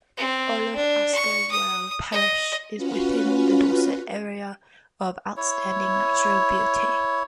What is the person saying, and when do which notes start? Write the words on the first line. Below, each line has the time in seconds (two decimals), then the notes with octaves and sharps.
All of Askerswell parish is within the Dorset Area of Outstanding Natural Beauty.
0.17 C4
0.76 D4
1.15 C#6
1.51 D#6
2.12 D#5
2.76 C#4 F4 F#4 B4
5.37 E4 C#5